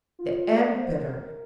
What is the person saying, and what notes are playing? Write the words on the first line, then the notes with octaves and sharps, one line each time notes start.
The Emperor!...
F4
D5
C5
A#4